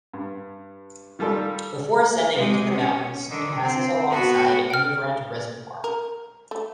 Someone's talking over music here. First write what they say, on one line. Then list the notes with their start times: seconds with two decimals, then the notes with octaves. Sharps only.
Before ascending into the mountains, it passes alongside Emigrant Reservoir.
0.13 G2
1.19 D#3 G3 F4 A4 A#4 D5
2.35 C3 G#3
2.72 C#4
3.28 D3 D#3
3.60 C4
4.10 B3 F#4
4.70 G5 F6
5.84 A#4
6.51 A3